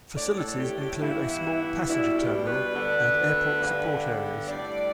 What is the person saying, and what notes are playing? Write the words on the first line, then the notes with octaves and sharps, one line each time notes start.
Facilities include a small passenger terminal and airport support areas.
A2 A3 D4 D5
A4
G4
G4
G2 E3 B3 E4
B2 G3 D4 E4
G4
B4
D2 D3 B3 D4
G2 D3 B3 D4
A2 G3 D4 D5